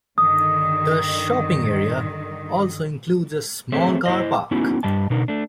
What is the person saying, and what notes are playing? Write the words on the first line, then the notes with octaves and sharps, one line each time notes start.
The shopping area also includes a small car park.
G2 D3 D#3 D#6
A3 C4 G#4 C5 C#5 E5
E4 C5 D#5
A3 B3 C#4 D#4 E4 F#4
G2 G3 D#5 A5
B2 D3 D#4 A#4
A3 D4